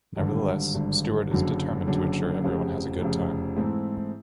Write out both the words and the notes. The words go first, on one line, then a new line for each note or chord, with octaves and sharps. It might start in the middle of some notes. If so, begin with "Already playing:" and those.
Nevertheless, Stuart is determined to ensure everyone has a good time.
G#1 G2 D3
G#1 G2 D3
F#1 F#2 D3 F#3
F#1 F#2 D3 F#3
F1 F2 C#3
F1 F2 C#3
G#2 E3 A3 C4 E4